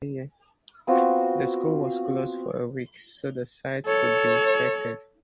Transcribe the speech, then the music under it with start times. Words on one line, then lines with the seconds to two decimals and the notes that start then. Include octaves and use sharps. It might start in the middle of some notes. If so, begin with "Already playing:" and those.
The school was closed for a week so the site could be inspected.
0.87 B3 C4 F4 F#4
3.86 A4 C#5